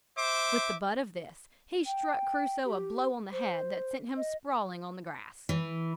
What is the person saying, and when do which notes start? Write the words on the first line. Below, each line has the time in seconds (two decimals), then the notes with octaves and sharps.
With the butt of this he struck Crusoe a blow on the head that sent him sprawling on the grass.
0.18 C5 E5 D6
1.86 G5
2.65 G4
3.32 C5
4.17 D#5
5.49 E3